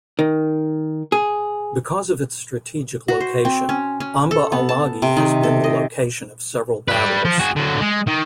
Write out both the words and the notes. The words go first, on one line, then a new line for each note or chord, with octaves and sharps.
Because of its strategic location, Amba Alagi has been the location of several battles.
D#3
G#4
F#4
C5
C4
C#4
C#4
A4
B3
A5
C3
D#3
A4
D#5
G3 B4
F3
F#4 G#4
D3 F#3
G#3
D#3